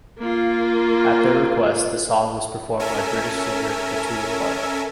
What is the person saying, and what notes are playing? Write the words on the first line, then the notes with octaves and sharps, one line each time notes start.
At their request, the song was performed by British singer Petula Clark.
A#3 F4
C#4 A4 A#4 E5 G#5